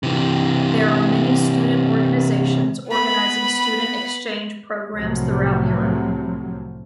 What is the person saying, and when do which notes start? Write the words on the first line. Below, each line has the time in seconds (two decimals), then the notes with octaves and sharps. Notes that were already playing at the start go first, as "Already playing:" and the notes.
There are many student organisations organizing student exchange programmes throughout Europe.
0.03 C3 E3
2.88 B3 B5
4.94 C2 A2 C3 F3 F#3